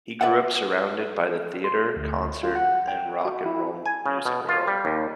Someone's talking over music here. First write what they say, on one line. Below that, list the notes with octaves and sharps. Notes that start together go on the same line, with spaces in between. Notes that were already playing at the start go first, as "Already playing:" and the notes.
He grew up surrounded by the theatre, concert, and rock and roll music world.
B4 D5 E5 F#5
C6
D2
F4
F#5
G5
F#4
E4
G#5
C#3
B2
F4
G3
D#2